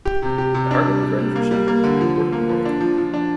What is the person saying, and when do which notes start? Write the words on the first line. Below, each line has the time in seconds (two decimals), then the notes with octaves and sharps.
The Harp of Renfrewshire is an important book.
0.05 G4
0.22 C3
0.38 G4
0.54 C3
0.71 D4
0.87 G3
1.03 G3
1.19 G3
1.36 A#3
1.51 G3
1.68 A#3
1.84 D3
2.01 F3
2.16 F3
2.33 A#3
2.49 F3
2.65 D4
2.81 F3
2.98 F3
3.14 D4